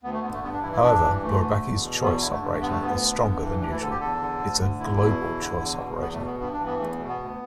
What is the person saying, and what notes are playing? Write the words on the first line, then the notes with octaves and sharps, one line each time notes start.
However, Bourbaki's choice operator is stronger than usual: it's a "global" choice operator.
D2 B3
A3
D3 B3
A3
G2 B3
D4
E3 E4
E4
G2 D4
E3
D2 A3
D3
E2
B2
E2 B3
D3 E4
A3
G2
A3
D3 B3
A3
D2 B3
D3
G2
E3
D2 D4
E4
D3 A4
G4
E2 A4
D3
D2
D3
E2 E4
B2
E2
D3
E2
B2
E2 B3
A3
B2
B3
G2 B3
D4
E3
B3
E2 A3
B3
B2 A3
B3
D2